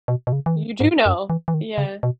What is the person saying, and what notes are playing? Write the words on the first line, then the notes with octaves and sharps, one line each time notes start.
You do know, yeah.
B2
B2
C#3
E3
D#3
G#2
F#2
E3
E3
D#3
C#3
B2